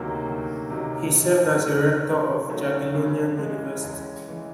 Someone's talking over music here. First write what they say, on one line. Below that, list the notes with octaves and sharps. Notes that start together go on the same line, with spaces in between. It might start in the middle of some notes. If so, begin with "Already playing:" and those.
He served as rector of Jagiellonian University.
Already playing: D2 C3 D#3 F#3 A#3
D2
C3 D#3 F#3 A#3
D#3
F#3 A3 C#4
D#3
F#3 A3 C#4
C#3
E3 G#3
C#3
E3 G#3